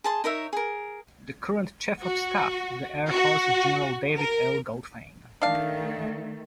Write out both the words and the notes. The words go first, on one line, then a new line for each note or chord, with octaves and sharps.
The current Chief of Staff of the Air Force is General David L. Goldfein.
G#4 A5 C6
D#4 A#4 C#5 E5
G#4 A#4
F#4
F#4
A#4
D#3 A3 D4 F5